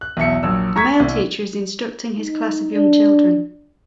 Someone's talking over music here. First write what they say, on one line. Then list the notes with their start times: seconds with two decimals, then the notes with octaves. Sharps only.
A male teacher is instructing his class of young children.
0.01 F#6
0.17 B1 E2 E5 C#7
0.43 A#1 F#3 E6
0.76 A#5 C#6 G#6 B6
1.00 C2
2.17 D#4
2.73 D4